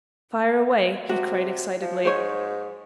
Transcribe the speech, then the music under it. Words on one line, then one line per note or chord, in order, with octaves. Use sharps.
"Fire away!" he cried excitedly.
C3 F#4
F3
G#2 C5 C#5